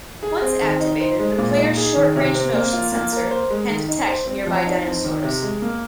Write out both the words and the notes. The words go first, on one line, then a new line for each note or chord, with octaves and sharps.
Once activated, the player's short-range motion sensor can detect nearby dinosaurs.
G#4
C4
D#3
D#4
C5
G#3
A#2
D#4
G#4
D#3
C3
C4
A#3
F4
A#3
A#4
C5
G#3
D#3
D#4
C5
C4
F3
D#4
C4
D#3
C3
G#3
A#3